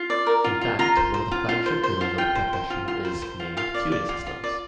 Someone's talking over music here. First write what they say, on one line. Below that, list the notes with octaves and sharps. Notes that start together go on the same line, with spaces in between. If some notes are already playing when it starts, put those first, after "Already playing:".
In fact, one of the flagship journals of the profession is named "Queueing Systems".
Already playing: F4
D5
A#4
F4
F4
F4 A#5
C5
C5
F4
F4
C5
C5
F4
F4 G5
C5
C5
F4
F4
C5
C5
F4
F4 F5
D5
D5
F4
F4
D5